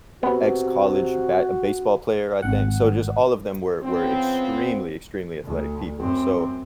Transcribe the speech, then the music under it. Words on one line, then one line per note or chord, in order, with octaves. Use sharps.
ex college ba baseball player, I think. So, just all of them were were extremely, extremely athletic people. So
C3 B3 F#4
G#1 F#5
C#3 F3 B3 C4
D2
F#2 C4